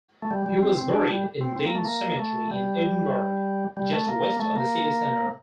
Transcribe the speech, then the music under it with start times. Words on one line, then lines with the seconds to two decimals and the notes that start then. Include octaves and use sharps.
He is buried in Dean Cemetery in Edinburgh, just west of the city centre.
0.22 A3
0.31 G3
0.46 G3
0.62 C4
0.78 C4
0.94 D4
1.09 G3
1.41 C4
1.56 C4
1.66 A#3
1.75 A3
1.85 A#3
2.19 A3
2.51 G3
3.77 G3
3.92 A3
4.08 A#3
4.40 A3
4.56 A#3